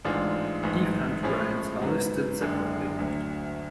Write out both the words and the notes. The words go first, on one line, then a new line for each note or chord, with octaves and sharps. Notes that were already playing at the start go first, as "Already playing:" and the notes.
Defunct brands are listed separately.
A1 G#2 G#3 D4 F4
A1 G#2 G#3
A2 F3 G#3 C#4
G#2 F#3 B3
F#1 F#2 D3 G#3 D4
D2 D3 F#3